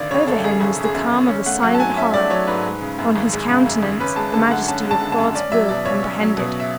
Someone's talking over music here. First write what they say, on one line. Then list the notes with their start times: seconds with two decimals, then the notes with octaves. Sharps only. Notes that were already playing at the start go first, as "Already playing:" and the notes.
Over him was the calm of a silent horror: on his countenance the majesty of God's will comprehended.
Already playing: G#1 D2 D5
0.11 C#3 C#5
0.27 F#2 A4
0.44 G#1 G#4
0.61 G#1 G#4
0.78 C#3
0.84 G#4
0.95 F#2
1.13 G#1
1.28 C#4
1.46 A3 F#5
1.63 F#3 F#5
1.75 A5
1.80 G#2 G#5
1.96 C#4 E5
2.14 A3 D5
2.30 F#3 C#5
2.47 G#2 B4
2.64 G#3
2.82 C#3
2.99 F#2
3.16 G#1
3.33 G#3
3.49 C#3
3.66 F#2
3.83 G#1
4.00 C#4 B4
4.16 G#3 A5
4.34 D3 A5
4.50 F#2 F#5
4.67 C#4 A5
4.85 G#3
4.91 A5
5.02 D3
5.12 A5
5.18 F#2
5.35 C#4 D5
5.52 F#3 E5
5.69 B2 D5
5.86 C#2 C#5
6.03 C#4
6.20 F#3
6.37 B2
6.60 E5